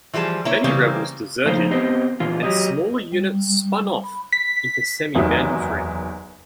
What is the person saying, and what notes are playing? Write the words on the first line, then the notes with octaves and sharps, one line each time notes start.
Many rebels deserted, and smaller units spun off into semi-banditry.
E3 F3 G3 G#4 A5
A#3 E4 C#5
C#3 E3 G3 A#3 C4
C#3 F3 A3 A#3 D#4 C5
B3 C4 G4 C5 D#5
A#2 E3 F4
F#3 G4 D#5
G3
B5
B6
F#1 E2 D#3 F#3 G4 E5